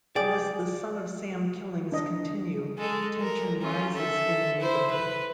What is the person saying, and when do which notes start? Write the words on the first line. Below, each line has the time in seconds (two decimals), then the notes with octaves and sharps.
As the Son of Sam killings continue, tension rises in the neighborhood.
0.16 G#4 D5 G5
1.92 D4 D#5
2.78 G#3 A4
3.21 A#4
3.62 C#4 F4
3.94 A4 E5
4.60 E4 C5
4.91 B4